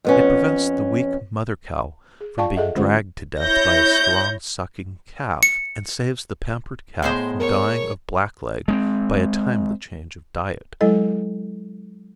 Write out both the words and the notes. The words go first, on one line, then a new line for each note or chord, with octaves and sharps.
It prevents the weak mother cow from being dragged to death by a strong sucking calf and saves the pampered calf from dying of blackleg by a timely change of diet.
F2 B3 C#4
G#4
F4 D5 F5 G5 A5 C#6
G#4 A4 D#5 E5 F#5
D3 G#3 C#4 F4 C5 F#5
E4 C#5 G6 A#6
C#7
A2 G#3 B3 C5
A#4 C#5
G#3 B3 C4
F#3 G#3 E4 A4 D#5